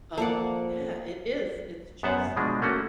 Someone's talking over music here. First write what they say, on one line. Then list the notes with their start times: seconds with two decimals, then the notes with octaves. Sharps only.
um yeah, it is, it's just,
0.18 F3 A#3 A4 D5 F#5
2.03 F#2 B3 C5 E5 F#5
2.37 B2 F3 G#3 D4
2.62 A3 A#3 C#4 F#4